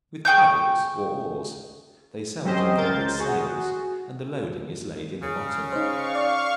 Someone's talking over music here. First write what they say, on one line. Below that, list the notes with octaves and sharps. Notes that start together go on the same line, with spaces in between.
With paddles, or oars; they seldom carry sails, and the loading is laid in the bottom.
G#4 G5 C#6 G6
F#3 C4 C#4 G4 C5 D#5
C#2 A#4 C5 G6 A6
F#4 G#4
C#3
D#4 C5 F5 C#6
D5